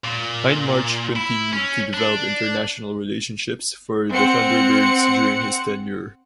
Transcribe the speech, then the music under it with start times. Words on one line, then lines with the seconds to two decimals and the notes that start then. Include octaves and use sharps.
Hindmarch continued to develop international relationships for the Thunderbirds during his tenure.
0.04 A#2
1.16 E4
1.53 C#4
1.94 D4
4.12 C4 F#5 C#7